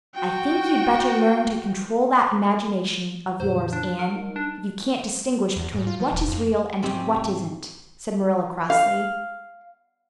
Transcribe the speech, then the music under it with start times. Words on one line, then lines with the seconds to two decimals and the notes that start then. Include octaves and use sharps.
"I think you'd better learn to control that imagination of yours, Anne, if you can't distinguish between what is real and what isn't," said Marilla crossly.
0.15 F#4 G5
3.40 F2 A#2 D3 C5
3.73 D4
3.85 F#6
3.99 A#4
4.16 G3 D#4
4.36 D4
5.56 E2
5.73 G#2
5.87 F4
6.00 F3
6.13 D#1
6.28 F2
6.83 G#2 C3 C4 C#4 G4
8.70 F5